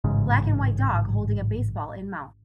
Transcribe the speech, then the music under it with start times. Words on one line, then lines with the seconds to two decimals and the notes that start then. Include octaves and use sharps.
Black and white dog holding a baseball in mouth.
0.04 A1 G#2 C#3